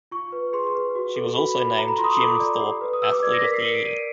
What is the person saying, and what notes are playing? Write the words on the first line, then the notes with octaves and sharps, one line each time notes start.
She was also named Jim Thorpe Athlete of the Year.
F4 C#6
B4
G#4 C6
B4
F#4
A4
F#4 B5
A4
A4 A#5
B5
F4 C6
D#6
D6
A4 D#6
D5
G4
B4
D#6
B4 E6
D6
D5 G#6
A#6
A#4 B6
C7
A#4 C#7
D7
D5 D#7